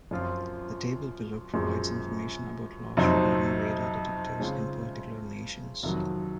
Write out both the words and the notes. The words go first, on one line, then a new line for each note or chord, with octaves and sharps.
The table below provides information about laws regarding radar detectors in particular nations.
F#2 F3 C4 F4
F#2 F3 G#3 C4
F2 C3 F#3 C4 D#4
C#3 G#3 C4 F4
F2 C3 D#3 F#3